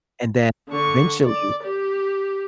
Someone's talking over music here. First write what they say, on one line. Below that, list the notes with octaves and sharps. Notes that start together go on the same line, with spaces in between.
and then, eventually,
D3 C#6
D5
G4